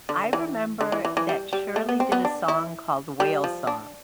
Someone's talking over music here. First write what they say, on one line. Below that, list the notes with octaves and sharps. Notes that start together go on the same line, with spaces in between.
I remember that Shirley did a song called Whale Song,
D3
E3
D3
E3
E3
E3
G3
G3
A3
B3
C4
B3
D4
E4
G3
F3
D4